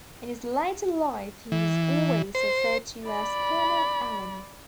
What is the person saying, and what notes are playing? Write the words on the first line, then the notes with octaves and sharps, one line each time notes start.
In his later life he was always referred to as Colonel Allen.
E3
C5
D5 B5